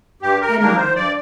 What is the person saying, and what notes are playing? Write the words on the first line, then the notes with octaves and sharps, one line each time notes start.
"And mine."
G2 G4
A#4
D#3 A#3 D4 A#4
C5
G2 D5